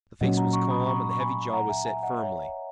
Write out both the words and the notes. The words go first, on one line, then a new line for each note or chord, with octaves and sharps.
The face was calm and the heavy jaw was set firmly.
A#2 F#3 C#4 D#5 F#5
F#5 A#5
A#5 C#6
B5 D#6
A#5 C#6
C#6
G#5 B5
F#5 A#5
E5 G#5
E5 G#5
D#5 F#5
C#5 E5